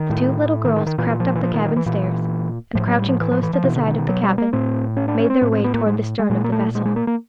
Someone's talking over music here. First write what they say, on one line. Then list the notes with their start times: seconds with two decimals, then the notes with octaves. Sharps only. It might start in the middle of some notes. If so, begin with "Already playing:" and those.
The two little girls crept up the cabin stairs, and crouching close to the side of the cabin made their way toward the stern of the vessel.
Already playing: D#3
0.10 A2
0.65 D#3
0.76 D#3
0.86 D#3
0.98 A#2 E3
1.20 F3
1.35 E3
1.43 F3
1.54 D#3
1.65 D#3
1.76 E3
1.86 A#2 E3
2.75 A2 F3
2.87 F#3
2.98 G3
3.09 F3
3.20 E3
3.31 F3
3.43 E3
3.53 F3
3.64 B2 E3
3.76 D3
3.87 D#3
3.98 D#3
4.09 F#3
4.23 G3
4.38 A#3
4.53 A2 C4
4.97 C#4
5.08 D4
5.19 C#4
5.30 C4
5.41 A2 C4
5.52 C4
5.64 B3
5.74 A#3
5.86 G#3
6.19 G#3
6.30 A#2 G#3
6.44 A#3
6.52 A3
6.75 G#3
6.85 G#3
6.96 A#3
7.07 A#3